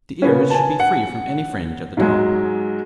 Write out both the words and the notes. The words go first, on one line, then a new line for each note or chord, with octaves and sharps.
The ears should be free from any fringe at the top.
C#3 A#3 B3 C#4
G#5 A5
F#5
G#2 F#3 G#3